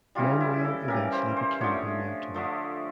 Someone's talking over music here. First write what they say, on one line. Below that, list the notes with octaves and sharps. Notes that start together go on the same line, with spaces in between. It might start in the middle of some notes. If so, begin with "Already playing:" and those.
Longwell eventually became her mentor.
C#3 E3 G3 F4
E4
A4
C#3 E3 G3 A#4
C5
C5
D3 F3 A3 C#5
D3 F3 A3